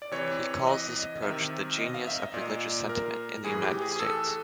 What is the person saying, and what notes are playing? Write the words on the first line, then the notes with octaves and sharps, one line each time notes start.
He calls this approach the genius of religious sentiment in the United States.
D5
C3 E3 C#5
D#5
C3 D#3 E5
D#5
F5
E5
D#5
A#2 D5
A#4
A2 E3 G#4
G4
G#4
G#4
A4